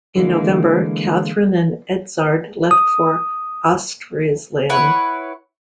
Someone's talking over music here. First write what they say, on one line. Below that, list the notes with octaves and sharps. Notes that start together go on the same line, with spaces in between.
In November, Catherine and Edzard left for Ostfriesland.
D3 E3 G#3 A#3
D#6
E4 B4 C#5 F#5